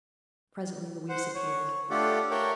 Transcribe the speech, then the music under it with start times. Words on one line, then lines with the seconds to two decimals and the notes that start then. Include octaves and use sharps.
Presently Louise appeared.
1.09 C5 F#5
1.35 C#5
1.90 A3 D4 F4 G4 A4 F#5
2.30 A4 A#4 C#5 E5 F#5 G5